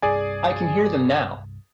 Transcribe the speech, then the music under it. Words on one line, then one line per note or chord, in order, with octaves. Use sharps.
I can hear them now.
C2 G2 G#4 D5 G#5